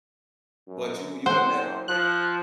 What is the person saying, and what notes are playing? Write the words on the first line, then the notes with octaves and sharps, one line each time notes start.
But you you are never
F#2
F#1 C5 F#5
F3 F#6